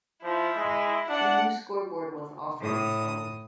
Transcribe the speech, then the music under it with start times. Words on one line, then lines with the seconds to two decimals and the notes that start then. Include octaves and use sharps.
A new scoreboard was also installed.
0.24 F3 E4
0.56 G#3
1.09 D4 F#5
2.60 A2 D#6